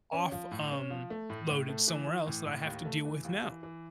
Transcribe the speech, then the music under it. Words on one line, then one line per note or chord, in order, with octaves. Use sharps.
off, um, loaded somewhere else that I have to deal with now.
C#4
F3
A2
C#4
F3
A3
A2
A2
A3
E3
E3
A2
A2
D#2
A3
E3
D#2
E3
E3